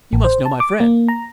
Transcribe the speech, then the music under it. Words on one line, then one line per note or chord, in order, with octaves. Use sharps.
You must know my friends....
A1
C5
A5
D6
A#3
A#5